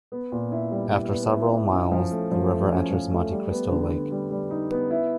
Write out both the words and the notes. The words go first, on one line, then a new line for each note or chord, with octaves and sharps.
After several miles the river enters Monte Cristo Lake.
B3
A#2
E4
G3
E4
B3
E4
E4
C#4
F3
A3
F3
A3
C#4
F3
A3
G3
B3
D3
D3
G3
G3
D#4
B3
E4